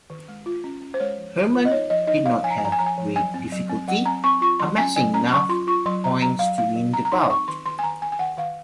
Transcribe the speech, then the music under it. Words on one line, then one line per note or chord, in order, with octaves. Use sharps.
Herman did not have great difficulty amassing enough points to win the bout.
D#3
G#3
F4
C#4
C#4
C5
G#3 C#5
F3
F3
F4
D#5
D#4 C#5
F3 D#5
D#4 D#5
D#4 F5
F3 G#5
A#5
G#5
F3 A#5
G#5
F3 A#5
G#5
F3
F#3 G#5
C4
F#3
C4
F#3 F#5
C4 A#5
C4 C#6
F4 C#6
F#3 C6
C#4 G#5
F#3 G#5
C#4 A#5
F#3 C#6
F4 C6
F4 C#6
F#3 C6
F#3 A#5
F#3 A#5
F#3 F5
D#4 F5
F#3
C4 A#5
A#5
D#4 C6
C4 C#6
D#3 C6
D#3 C6
G#5
D#3 A#5
D#3 G#5
G#5
D#3 F#5
D#3 F5